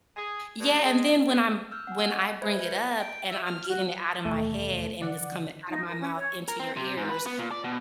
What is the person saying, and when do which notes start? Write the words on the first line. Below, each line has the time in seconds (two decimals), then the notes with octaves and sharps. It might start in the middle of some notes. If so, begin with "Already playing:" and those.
yeah, and then when I'm when I bring it up and I'm getting it out of my head, and it's coming out of my mouth into your ears,
0.17 G#4
0.60 G2
0.84 G#3
1.27 G#3
1.71 E6 F6 G6
1.87 F#5 G#5
2.06 D#5
2.42 B4 C5 E5 B5 G6 G#6
2.62 B4 G6 C#7
2.99 G5
3.29 E5
3.44 F6
3.68 F#4
4.25 E1 D#2 A3
5.02 D3 E3 F3 D5 F#5
5.68 D#4
5.85 A#4
6.00 C#4
6.16 C#5
6.48 A#4
6.60 C4
6.77 C3
6.97 G#2
7.10 B4
7.26 B3
7.39 A#2
7.51 D5
7.64 B2